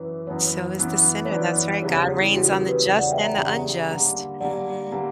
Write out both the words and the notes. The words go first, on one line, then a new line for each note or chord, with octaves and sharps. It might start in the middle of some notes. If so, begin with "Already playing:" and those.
So is the sinner, that's right, God reigns on the just and the unjust, mhm.
Already playing: F#2 E3 B4
F#2 E3 B3 C#5
F#2 E3 B3
C#5
F#2 E3 B3 B4 D5
E2 C#3 G3 C#5
C#5
C#5
E4
E2 C#3 G3 F#4
A#4
B4
E2 C#3 G3 C#5
D5 F#5
E5 G5
A#5
E2 C#3 G3 G5
F#5 A#5
D3 G3 A#3
D3 G3 A#3 D5 F#5
D3 G3 A#3